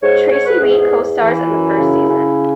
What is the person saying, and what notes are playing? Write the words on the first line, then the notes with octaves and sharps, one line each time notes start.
Tracy Reed co-stars in the first season.
G#2 C#5
G#2 C#5
B4
E2 G#4
G#4
E2
E3 E4
F#2
C#3
C#3